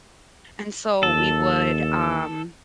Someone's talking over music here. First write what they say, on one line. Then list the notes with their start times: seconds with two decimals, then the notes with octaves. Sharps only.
and so, we would, um,
1.03 D#2 A4